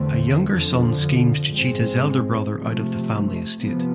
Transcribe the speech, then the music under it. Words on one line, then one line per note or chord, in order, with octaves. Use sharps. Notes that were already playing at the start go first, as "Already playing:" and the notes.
A younger son schemes to cheat his elder brother out of the family estate.
Already playing: E2 D3 A3 C4
F2 D3 F3
G#2 G#3 C4
C3 F3 A3
C3 F3 B3